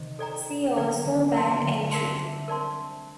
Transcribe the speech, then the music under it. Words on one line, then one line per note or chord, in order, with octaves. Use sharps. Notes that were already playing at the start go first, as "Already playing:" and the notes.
See also Band entry.
Already playing: C3 D#3
A4 D5 G5 A#5
D3 F#3 A4 D5 G5 A#5
D#3 G3
G3
F#3 A3 A#4 D5 A5 C6
D3 F#3
D3 F#3
F#3 A3
G3 A#3 A#4 D5 A5 C6
D4
A3 C4
A3 C4 A#4 D5 A5 C6